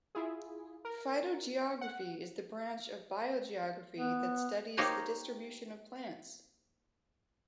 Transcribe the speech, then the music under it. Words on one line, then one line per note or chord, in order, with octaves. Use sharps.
Phytogeography is the branch of biogeography that studies the distribution of plants.
E4 F4 G#4
A#4
F#5
B3
A#3 D#4 G4 C5 C#5 G#5